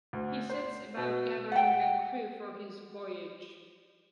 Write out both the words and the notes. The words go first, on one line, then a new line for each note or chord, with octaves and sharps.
He sets about gathering a crew for his voyage.
D2
C5
B2
F#5 G5